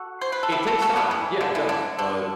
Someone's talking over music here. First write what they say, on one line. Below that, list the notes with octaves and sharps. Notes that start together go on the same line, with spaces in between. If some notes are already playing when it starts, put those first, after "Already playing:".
it takes time. Yeah, it does. But,
Already playing: F#4 A4
C5
B4
A4
E4 G4
F#4 A4
F#4 A4
B3 D4
E3
D3
E3
D3
D3